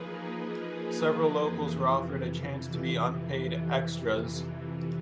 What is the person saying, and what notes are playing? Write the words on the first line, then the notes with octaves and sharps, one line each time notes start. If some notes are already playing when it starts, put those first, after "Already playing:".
Several locals were offered a chance to be unpaid "extras".
Already playing: F3 A#3 D#4 G#4 B4
F2 C3 E3
F2 C3 E3